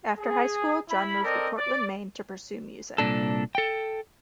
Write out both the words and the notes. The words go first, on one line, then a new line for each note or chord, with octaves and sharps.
After high school, John moved to Portland, Maine, to pursue music.
G#4
E4 B5
C4 A4 A#4 D5 D#5
D5
C2 F2 A#2 D4 A4
A4 G5